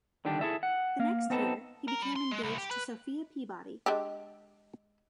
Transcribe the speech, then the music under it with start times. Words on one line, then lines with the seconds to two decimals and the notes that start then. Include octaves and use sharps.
The next year, he became engaged to Sophia Peabody.
0.25 D3 D#3 G3 D4 G4
0.41 E4 G#4 A4 E5
0.63 F#5
0.99 A#3 F5
1.30 B3 C4 D#4 A4 B4 A5
1.88 A#4
2.02 G3
2.16 C6
2.31 G#3
2.43 C2
2.58 G4
2.71 B4
3.86 G#3 D4 G4